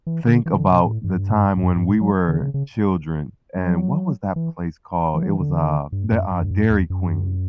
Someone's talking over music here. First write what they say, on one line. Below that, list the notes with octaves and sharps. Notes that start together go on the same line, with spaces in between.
think about the time when we were children, and, what was that place called? It was, uh, the uh, Dairy Queen.
E3
D3
E3
C#3
D3
B2
A2
G2
G2
F#2
G2
A2
F#3
D3
C#3
C#3
F#3
E3
E3
F#3
E3
D3
G2
F#2
F#2
G2
F#2
E2
F#2